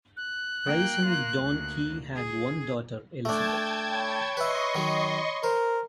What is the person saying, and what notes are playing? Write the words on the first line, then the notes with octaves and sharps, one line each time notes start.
Price and Donneky had one daughter, Elizabeth.
F#6
A#3 G5
A#3 F4
D2 A#3
G#4
A3 D4 G5 A5 G#6
C#5 B5
B4 D#5 E5 C6 C#6
D#3 F#3
A#4 C5